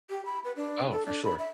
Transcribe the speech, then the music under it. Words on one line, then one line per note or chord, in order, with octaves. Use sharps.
Oh, for sure.
G4
B5
B4
D4
A4
D4
B5
E5